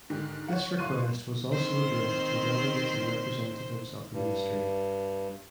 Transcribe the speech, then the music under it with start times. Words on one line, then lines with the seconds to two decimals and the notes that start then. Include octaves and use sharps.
This request was also addressed to the delegates and representatives of the ministry.
0.10 G#2 D3 D#3 G4
0.48 C#5 F#5
0.78 A2 F5 C6 C#6 F#6 D#7
1.52 D#3 C4 C5
4.13 G2